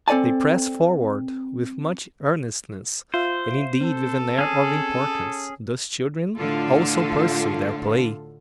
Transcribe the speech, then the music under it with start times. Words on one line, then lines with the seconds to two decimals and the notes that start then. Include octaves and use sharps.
They press forward with much earnestness, and indeed with an air of importance; thus children also pursue their play.
0.08 C4 A4 D5 G#5 A5
3.14 F4 C5 E5 F5
3.81 C4 A4
4.39 C#4 G#4
6.35 A2 D3 F4 A4